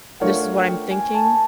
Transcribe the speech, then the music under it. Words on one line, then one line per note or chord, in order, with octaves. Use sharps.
"This is what I'm thinking."
A3 D4 F4 A#4 C#5 F#5
G5
G#5
A5